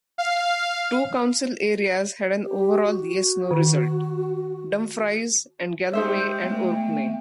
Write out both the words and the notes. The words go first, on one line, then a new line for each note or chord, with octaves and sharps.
Two council areas had an overall "Yes-No" result - Dumfries and Galloway and Orkney.
F5
G4
F#4
D#3
G#3 D#4 G4 C5 E5
A3 B3 G5